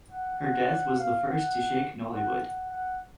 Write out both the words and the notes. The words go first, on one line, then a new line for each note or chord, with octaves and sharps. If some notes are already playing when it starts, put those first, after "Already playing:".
Her death was the first to shake Nollywood.
F#5
F#5
F5
F#5
F#5
F#5
F#5